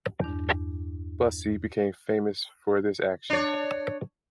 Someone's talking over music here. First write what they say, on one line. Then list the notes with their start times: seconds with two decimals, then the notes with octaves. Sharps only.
Bussy became famous for this action.
0.21 E2 G2 D4
3.30 D4 C#5